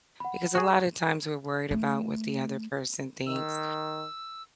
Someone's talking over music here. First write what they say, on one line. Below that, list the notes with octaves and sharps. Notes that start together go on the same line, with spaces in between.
because a lot of times, we're worried about what the other person thinks
F#5 B5
F#4 G#4 C#6
A3
D#3 E6